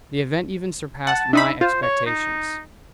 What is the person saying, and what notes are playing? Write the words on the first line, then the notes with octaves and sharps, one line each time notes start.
The event even surpassed my expectations.
F#5 A5
D4 D#4 E5 B5
F4 C5
C#5
D#4